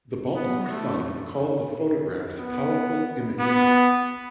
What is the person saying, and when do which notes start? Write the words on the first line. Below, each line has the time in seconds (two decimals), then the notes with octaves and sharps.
The "Baltimore Sun" called the photographs "powerful images".
0.35 B3
0.69 A3
2.38 B3
3.39 B3